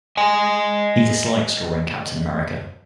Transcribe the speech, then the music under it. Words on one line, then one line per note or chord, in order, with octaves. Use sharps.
He dislikes drawing Captain America.
D#5 G#5